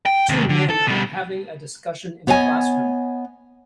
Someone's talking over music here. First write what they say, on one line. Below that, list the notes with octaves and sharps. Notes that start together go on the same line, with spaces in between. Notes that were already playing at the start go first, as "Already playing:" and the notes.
Two men are having a discussion in a classroom.
G5
D#2 C3
D3
A4
B2 G3
B3 C#5 D#5 F5 G#5